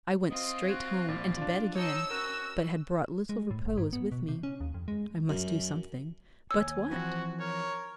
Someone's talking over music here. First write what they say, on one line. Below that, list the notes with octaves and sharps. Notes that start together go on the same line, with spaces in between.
I went straight home, and to bed again--but had brought little repose with me: I must do something--but what?
C4 F4 D#5
F#4 G#6
A#1 D5
D4 F4
D#4 C#5 D#5 A5 E6 C#7
C#4 F#4 A#4
G#3
A2
F#1
G#2
B3
B2
C3
C#4
D#2
F2
G#3
F#2
D#2 C#5 G#5 E6
E3 F3 C4 F#4
A#4 C#5